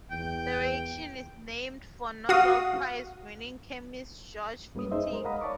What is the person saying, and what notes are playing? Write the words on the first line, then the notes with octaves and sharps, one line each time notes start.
The reaction is named for Nobel Prize winning chemist Georg Wittig.
E2 G5
F#4 F5 D#6
F#2 G3 A#3 C#4 B4 D#6
D#4 G#4 C5 D#5 E5
G#3 A#4 C5
D#5 F5 F#5 A#5 B5 D#6
C#5 D5 A5 B5 C#6 D6